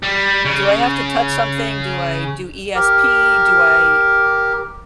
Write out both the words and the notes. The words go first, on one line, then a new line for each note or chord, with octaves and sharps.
"Do I have to touch something? Do I do ESP? Do I
G3
C#3
G4 A#4